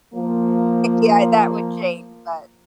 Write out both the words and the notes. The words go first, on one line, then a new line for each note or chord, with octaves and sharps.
yeah, that would change, but
F3 A#3